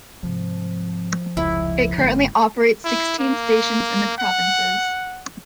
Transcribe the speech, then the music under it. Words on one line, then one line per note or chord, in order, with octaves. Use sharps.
It currently operates sixteen stations in the provinces.
G#2 C3 F3
F1 C#2 E4
G1 G#2 D3 G#3 A#3
E4
A#3
F#5